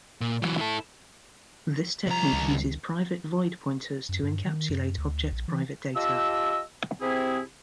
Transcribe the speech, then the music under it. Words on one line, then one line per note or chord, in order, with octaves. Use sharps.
This technique uses private void pointers to encapsulate object private data.
A#2
E3 F#3
E4 A4
C2 F3 A#5
C#2 D#3
F#2
G2
D#3
F#2
D2
A#1
E3
F4 G4 D#5 A5 E6
C3 C4 E4 G#4